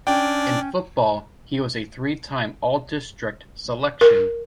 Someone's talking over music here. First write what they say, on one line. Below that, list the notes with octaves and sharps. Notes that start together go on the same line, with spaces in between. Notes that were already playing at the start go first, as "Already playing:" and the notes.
In football, he was a three-time All-District selection.
C#4 D4 D5 G5
A#4